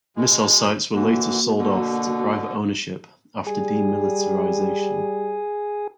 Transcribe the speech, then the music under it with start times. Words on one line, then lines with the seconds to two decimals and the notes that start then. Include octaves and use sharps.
Missile sites were later sold off to private ownership after demilitarization.
0.16 B2 G#3
0.95 D3 E3 A#3 F#4
1.59 B2 D3
3.47 G3 G#4